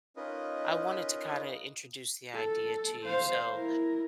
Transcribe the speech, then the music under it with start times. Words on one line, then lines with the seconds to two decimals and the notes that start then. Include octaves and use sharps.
I wanted to kinda introduce the idea to you, so,
0.16 C#4 D#4 F4 A#4 B4 D#5
2.35 A4
3.06 C5 F5
3.55 E4 A#4